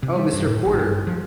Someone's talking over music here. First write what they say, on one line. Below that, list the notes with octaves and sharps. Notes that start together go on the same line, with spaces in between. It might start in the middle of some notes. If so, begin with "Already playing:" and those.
Oh, Mr Porter!
C3
G3
G2
A2
A1
G2
F3